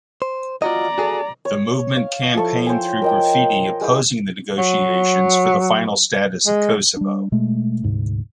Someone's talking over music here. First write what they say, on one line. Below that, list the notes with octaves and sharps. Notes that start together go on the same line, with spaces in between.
The movement campaigned through graffiti opposing the negotiations for the final status of Kosovo.
C5
F4 F#4 D5 D#5 A#5
F#4 G#4 A4
C#5
F5
F3 E4 A4 C#6
C5 C#5 G5 G#5
A#4 D#5 G5
G#3 E4 C5
F#3
G#3
G3 D4
B2 G#3 A3
D2 G#2 C3